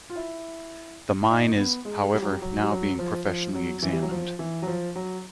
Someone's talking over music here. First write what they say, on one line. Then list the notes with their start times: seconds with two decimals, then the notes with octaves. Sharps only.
The mine is, however, now being professionally examined.
0.10 F4
0.16 E4
1.30 D#4
1.57 B3
1.85 G#3
2.14 G3
2.22 F#3
2.32 G3
2.42 F#3
2.63 G3
2.70 F#3
2.99 F3
3.26 F3
3.55 F#3
3.82 E3
3.93 G3
4.02 F#3
4.12 F3
4.39 E3
4.62 F#3
4.67 F3
4.96 F#3